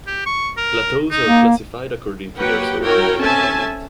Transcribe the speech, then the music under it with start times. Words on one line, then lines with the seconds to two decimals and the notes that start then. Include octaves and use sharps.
Plateaus are classified according to their surrounding environment.
0.07 G4
0.26 C#6
0.57 A#4
1.11 D#4
1.27 A#3
2.37 F#3 A#3 G4 B4 F#5 G5
2.82 E4 F#4 A#4 C#5 G5
3.18 C4 C#4 A4 E5 G#5 A5